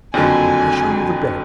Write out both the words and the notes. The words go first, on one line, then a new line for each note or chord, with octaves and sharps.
I show you the bed.
F#1 F2 D3 F#3 G#5